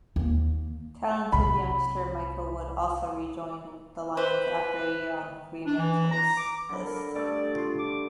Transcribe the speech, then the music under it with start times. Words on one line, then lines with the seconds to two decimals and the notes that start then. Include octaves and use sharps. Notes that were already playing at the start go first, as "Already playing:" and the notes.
Talented youngster Michael Wood also re-joined the Lions after a year on Fremantle's list.
0.16 D#2 A#3
1.32 C2 C4 B5
4.17 B4 C5
5.66 D4
5.78 E3
6.12 A#5
6.37 D6
6.69 D3 F#3 B5
6.86 A#4
7.15 G2 A3 D5
7.55 F4
7.79 D6